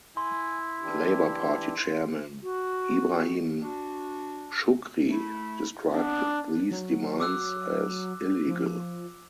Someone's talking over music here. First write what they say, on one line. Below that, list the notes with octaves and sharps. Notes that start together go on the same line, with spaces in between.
Labor Party chairman Ibrahim Shoukry described these demands as illegal.
E4 G#5 C6
E3 D4 G4
F#4
D4 F#4
A3 E4
B3 C4 D4
F#3
D6 E6 F#6
F3